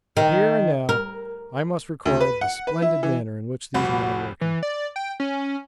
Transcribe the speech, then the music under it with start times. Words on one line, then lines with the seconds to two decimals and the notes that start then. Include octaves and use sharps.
For here and now I must record the splendid manner in which these men are working.
0.17 D#3
0.89 A#4
2.05 D2
2.20 B4
2.41 F#5
2.67 B4
2.82 E4
3.03 E3
3.74 F1 C2 F#4 B5
4.41 E3
4.63 D5
4.96 G5
5.20 C#4